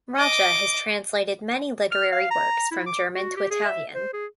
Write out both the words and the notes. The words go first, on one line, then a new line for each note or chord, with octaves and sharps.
Raja has translated many literary works from German to Italian.
D#5 D6
F6
F5
A#5
E4
D6
F#4
G4
G#4
E5
C5
G#4